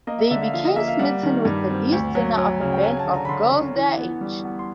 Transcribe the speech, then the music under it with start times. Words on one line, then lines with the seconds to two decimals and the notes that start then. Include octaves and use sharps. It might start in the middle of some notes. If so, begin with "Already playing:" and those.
They become smitten with the lead singer of a band of girls their age.
0.07 A#3 D#5
0.19 E5
0.31 D3 E5
0.42 F5
0.54 F3 F5
0.65 D#5
0.76 A#3 E5
0.88 F5
0.99 G3 F#5
1.23 D#3
1.45 G2
1.69 C4
1.92 D2
2.15 F#3
2.37 F#3
2.61 C#3
2.72 G5
2.83 F#3 G#5
2.99 A5
3.06 D3
3.14 A#5
3.25 B5
3.29 D3 C6
3.52 D3 C#6
3.76 E3
3.98 B3
4.21 G3
4.44 B3
4.59 C6